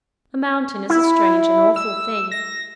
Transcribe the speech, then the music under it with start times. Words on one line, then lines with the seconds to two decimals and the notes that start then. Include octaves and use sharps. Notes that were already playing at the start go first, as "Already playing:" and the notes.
A mountain is a strange and awful thing.
0.90 E4
1.76 E6
2.31 A#6